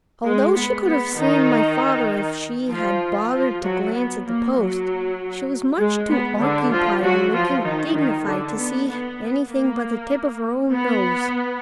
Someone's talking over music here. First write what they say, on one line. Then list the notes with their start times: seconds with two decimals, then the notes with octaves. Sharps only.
Although she could have seen my father if she had bothered to glance at the post, she was much too occupied looking dignified to see anything but the tip of her own nose.
0.24 G#3
0.55 B3
0.85 B3
1.17 D#3 D#4
2.71 F3 F4
3.32 F3 F4
3.63 F#3 F#4
3.94 B3
4.25 A#3
4.56 F#3
5.79 G#3
6.10 B3
6.40 D3 D4
6.71 F3 F4
7.03 F#3 F#4
7.33 F3 F4
7.64 D#3 D#4
7.95 D#3 D#4
8.25 D3 D4
8.57 B3
8.87 B3
9.49 A#3
10.72 B3